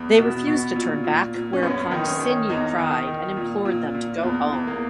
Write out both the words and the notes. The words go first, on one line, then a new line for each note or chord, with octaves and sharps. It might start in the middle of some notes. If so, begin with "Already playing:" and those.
They refused to turn back, whereupon Signy cried and implored them to go home.
Already playing: E2
B2
B2
A#2
A#2
A#2
C#4
F#2 B3
D#3
C#4
D#3
E2 D#4
D#3
D#3
A#2
A#2
A#2
E2
E2
A#3